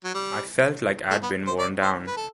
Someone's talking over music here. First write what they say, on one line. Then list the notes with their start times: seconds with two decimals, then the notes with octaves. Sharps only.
I felt like I'd been worn down.
0.04 F#3
0.14 G3
1.11 A3
1.23 B3
1.47 C5
1.59 D5
1.82 C5
2.07 B4
2.16 A4